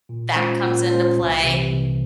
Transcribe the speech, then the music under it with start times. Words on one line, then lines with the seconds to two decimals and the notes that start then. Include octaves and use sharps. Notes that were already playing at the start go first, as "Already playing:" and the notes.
that comes into play,
0.09 A#2
0.36 G#3 C#4 F4 C5
0.63 A#2
0.90 G#3 C#4 F4 C5
1.17 C2
1.43 C3 E3
1.71 C2